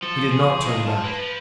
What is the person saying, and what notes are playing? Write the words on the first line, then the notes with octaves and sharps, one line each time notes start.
He did not turn back.
F3 A4
G#4
F4 D#5
F4 A5
A#3 B4
F3